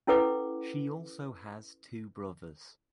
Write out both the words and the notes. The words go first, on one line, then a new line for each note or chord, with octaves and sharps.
She also has two brothers.
C#4 E4 A4 B4 F#5 D6